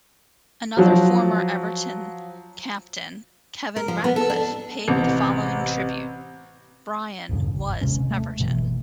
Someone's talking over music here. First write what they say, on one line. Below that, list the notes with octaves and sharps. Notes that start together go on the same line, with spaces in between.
Another former Everton captain, Kevin Ratcliffe, paid the following tribute: Brian was Everton.
F3 F#3
A#4
F3
B3
A4
D4
A1 C3
F#1 D#2 A2 C#3
G#1
D#1 C3 G#3 C#4
A3
G1 B2 E3